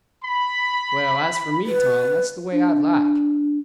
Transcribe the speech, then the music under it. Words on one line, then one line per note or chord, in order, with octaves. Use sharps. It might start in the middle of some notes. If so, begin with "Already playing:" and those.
"Well, as for me, Tom, that's the way I'd like."
B5
B4
D4